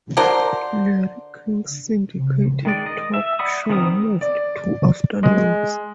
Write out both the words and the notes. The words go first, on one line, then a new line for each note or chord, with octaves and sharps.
Larry King's syndicated talk show moved to afternoons.
D3 F#4 A#4 C5
D#3 G#3 D5
D#5
E5
D5 F#5 B5 D#6
D#3 B3 C4 A#4 D#6
D5
G#3